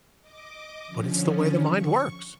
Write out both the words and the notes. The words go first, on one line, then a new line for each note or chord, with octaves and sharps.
But it's the way the mind works.
D#5 D6
D3 F3 C#4
C#6